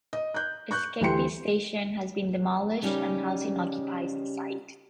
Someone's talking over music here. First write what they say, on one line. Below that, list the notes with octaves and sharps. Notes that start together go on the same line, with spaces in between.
Skegby station has been demolished and housing occupies the site.
D#5
F#6 G6
C#6 F#6 G6
D2 E3 G3 G5 C6 C#7
C#3 G3 C#4 D#4 G4